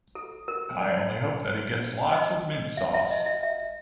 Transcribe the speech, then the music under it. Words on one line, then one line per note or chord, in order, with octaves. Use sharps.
I only hope that he gets lots of mint sauce.
A4
A#4
D5
D#5
E5
E5
D#5
E5
E5